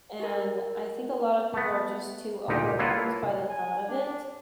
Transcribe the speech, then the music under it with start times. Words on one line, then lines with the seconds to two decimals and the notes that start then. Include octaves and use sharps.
and I think a lotta people are just too overwhelmed by the thought of it,
0.20 G4 A#4
1.54 A3 B3
2.48 D2 A#2 D#4 G4
2.79 A#3 E4 F4 A4 B4 C#5
3.49 G#5
3.88 D4